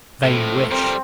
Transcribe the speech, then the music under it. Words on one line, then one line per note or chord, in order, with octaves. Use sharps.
Vain wish!
A2 A4 C5
G3 C4 A#4